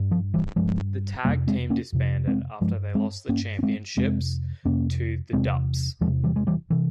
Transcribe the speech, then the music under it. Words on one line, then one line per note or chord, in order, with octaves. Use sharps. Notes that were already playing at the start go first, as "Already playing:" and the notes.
The tag team disbanded after they lost the Championships to The Dupps.
Already playing: G2
F3
E3 G3
G2 F3 G#3
F2 C3 G3 A#3
G#3 C4
A#3 C#4
F2 C3
G#3 C4
G2 F3 G#3
G#3 C4
G2 A#3 C#4
C#4
G#3 C4
F2 C3 G#3 C4
F2 C3 A#3 C#4
E2 C3 G#3 C4
E2 F3 G#3
C3
E3 G3
G#3
E3 G3
C3 E3